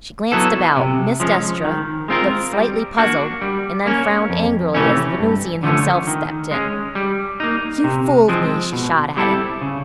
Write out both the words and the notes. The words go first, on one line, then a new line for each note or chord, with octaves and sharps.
She glanced about, missed Estra, looked slightly puzzled, and then frowned angrily as the Venusian himself stepped in: "You fooled me!" she shot at him.
F#3 B3 E4 A4
C3
F3 G#3 C#4
D#3
G#3 C4 F4 A#4
G3
A#3 D4 F#4
G3
A#3 C#4
F2
C3 E3 A3 C#4
G2
D3 F3 A3 C#4
D#3
G#3 C#4
G3
A#3 D#4
C3
F3 G#3 C4
B2
G3 C4 E4 A4
C#3